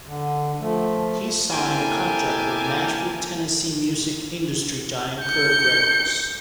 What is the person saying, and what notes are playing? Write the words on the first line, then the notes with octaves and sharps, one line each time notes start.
He signed a contract with Nashville, Tennessee, music industry giant Curb Records.
D3
F3 A3
A#3 C4 E4 G4 A4 G#5
G6 C#7